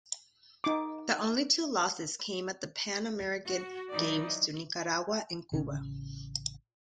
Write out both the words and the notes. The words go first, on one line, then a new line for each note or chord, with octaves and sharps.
The only two losses came at the Pan American Games to Nicaragua and Cuba.
D#4 D6
F#4
D#3 E3 F#3 D#4 D5
A1 C#3 E3 C#4